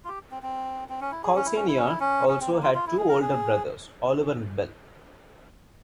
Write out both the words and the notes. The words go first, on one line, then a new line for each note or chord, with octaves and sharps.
Cal Senior also had two older brothers, Oliver and Bill.
F4
G4
C4
C4
C4
C#4
E4
G#4
C#4
E4
C#4
E4
C#4
E4
C#4
C#4
C4
A#3
F4
F4
E4
G#4
A#4
G#4